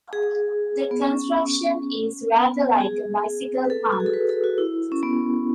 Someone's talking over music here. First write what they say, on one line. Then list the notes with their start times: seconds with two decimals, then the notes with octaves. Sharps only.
The construction is rather like a bicycle pump.
0.13 G#4
0.91 B3
1.02 C#4
2.36 B3
2.81 G#4
3.65 B4
3.70 A4
3.92 F#4
4.00 G#4
4.06 A4
4.14 B4
4.29 A4
4.44 F#4
4.58 E4
4.92 C#4
5.03 B3